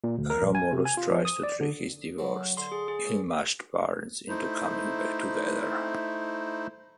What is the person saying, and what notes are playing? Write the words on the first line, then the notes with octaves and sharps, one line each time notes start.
Romulus tries to trick his divorced, ill-matched parents into coming back together.
A#2
D2
A#4
A#1
G#5
C3
G#5
F4
F3
D#6
D5
D3
C#3 F#3
D3 C6
G#4
G#4
C#2 D#6
A3 D#4 E4 C5